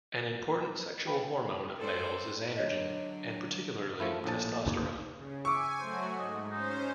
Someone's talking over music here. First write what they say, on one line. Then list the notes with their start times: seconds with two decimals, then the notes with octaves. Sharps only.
An important sexual hormone of males is androgen, and particularly testosterone.
1.06 B4 G5 B5
1.79 A4 C5 D5
2.56 D3 F#3 C#5 D#5
4.00 F3 A3 E4
4.24 A#1 A2 A5
4.67 D#2
5.14 C#3
5.45 E5 G#5 C#6 D6
5.80 F#3 A3 F#4 C5
6.18 G#2 D#5
6.51 C#4 D#4 C5